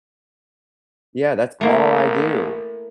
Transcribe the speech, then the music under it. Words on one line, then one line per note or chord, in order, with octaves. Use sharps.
Yeah. That's all I do.
A1 A3 A#3 E4